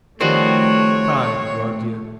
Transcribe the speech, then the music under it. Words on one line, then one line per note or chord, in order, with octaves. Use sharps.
"Pride, Rodya."
D#3 F3 G3 A3 C4 F#4 C#5